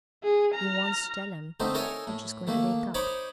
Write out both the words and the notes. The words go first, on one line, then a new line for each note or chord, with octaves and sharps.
You wants to tell 'em they're just going to wake up.
G#4
A#5 F6
D3 A3 C4 D#4
D#4 A4 A#4 C#5 E5 G#5
A2
D#3 A3 A#3
D#4 C5 C#5 B5 D6